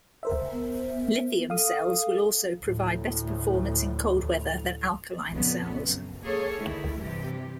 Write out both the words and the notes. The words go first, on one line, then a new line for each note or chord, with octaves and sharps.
Lithium cells will also provide better performance in cold weather than alkaline cells.
A#4 C5 E5
B3
A4 F5 D#6
D2 A2
F2 A#2 C#3 A3 B3
F#2
A#3 G#4 A4 C#5
D3 D#3 A3 E4
G2 C3 E3 G4